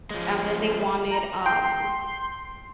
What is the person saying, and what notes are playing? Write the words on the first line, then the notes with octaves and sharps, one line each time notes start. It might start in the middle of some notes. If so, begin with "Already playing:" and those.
and then they wanted, um,
F3 G#3
A#5
G5 C6